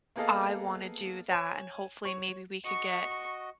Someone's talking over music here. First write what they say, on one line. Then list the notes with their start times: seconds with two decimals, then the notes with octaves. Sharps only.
I wanna do that. And, hopefully, maybe we could get,
0.16 A#3 B3 G#4 A4 D#5 F5
1.30 C#5 G#5 E7
2.05 C#5 C#6
2.65 F#4 D#5 C#6